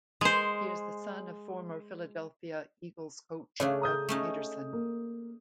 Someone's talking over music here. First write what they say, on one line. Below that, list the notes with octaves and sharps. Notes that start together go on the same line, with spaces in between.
He is the son of former Philadelphia Eagles coach Doug Pederson.
G#3 C5
C#3 A3 D4 C#5
A#5 D#6 G6
A3 C#4 D#4
A#3